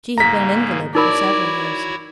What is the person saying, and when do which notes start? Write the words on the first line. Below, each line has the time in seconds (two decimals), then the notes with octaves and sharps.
She had been an invalid for several years.
0.18 G#2 C#3 A#3 A#5 B6
0.95 D#4 E4 F#4 A#4 C#5 D5 B5